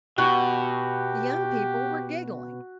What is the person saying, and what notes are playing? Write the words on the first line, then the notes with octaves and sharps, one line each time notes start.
The young people were giggling.
B2 F#4 G4